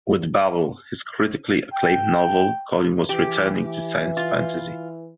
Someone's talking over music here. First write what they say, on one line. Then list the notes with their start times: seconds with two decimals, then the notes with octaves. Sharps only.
With "Babel", his critically acclaimed novel, Colin was returning to science fantasy.
1.74 G5
3.09 E3 G4
4.17 F4